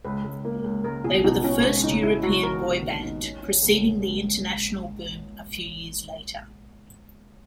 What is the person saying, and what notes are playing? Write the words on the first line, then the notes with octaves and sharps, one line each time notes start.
They were the first European boyband preceding the international boom a few years later.
C#2 B4
C#2
A#3
C#2
C#2 A#4
B2 G#4
B2 D#4
B2 C#4
G#3
C#3 D#4
D#4 E4
C#3 F#4
C#3 A#4
C#3
D#2
D#4
C#4
C#4
C#2
A#3
C#2